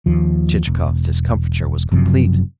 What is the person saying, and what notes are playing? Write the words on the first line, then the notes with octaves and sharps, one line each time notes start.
Chichikov's discomfiture was complete.
D#2 F3
E1
F#1 F#2 C3 F3